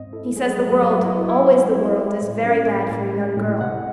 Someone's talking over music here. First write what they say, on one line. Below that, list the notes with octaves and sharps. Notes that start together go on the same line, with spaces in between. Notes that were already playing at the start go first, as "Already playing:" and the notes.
He says the world, always the world, is very bad for a young girl.
Already playing: G#2 C4 D#5
E4 A4
F#3 G#4
F#3 D#5
F#3 D#5
E4
E4
C4
E4 E5
G#3
A2
C#4
A2
A2
G#3
A2
C3 F#5